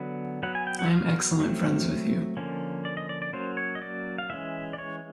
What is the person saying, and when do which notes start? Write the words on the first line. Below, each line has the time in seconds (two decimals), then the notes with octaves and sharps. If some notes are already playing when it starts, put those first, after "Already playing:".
I am excellent friends with you.
Already playing: D3 F#3 B3
0.43 F#3 B3 F#5
0.55 G#5
0.67 G5
0.79 F#5
0.86 E5
0.91 F5
1.40 F#3 A3 C4
2.37 D3 F3 A#3 C#4
2.85 D5
2.97 D#5
3.09 D5
3.22 D5
3.33 F#3 A#3 C#4 C5
3.57 C#5
3.75 D#5
3.82 D5
4.18 F5
4.30 E3 G#3 C#4 E5
4.73 D5
4.78 C#5